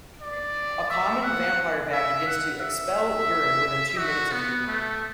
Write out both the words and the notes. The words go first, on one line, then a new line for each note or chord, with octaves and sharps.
A common vampire bat begins to expel urine within two minutes of feeding.
D5
E5
F#5
E5
F#5
E5
F#4
B3
A3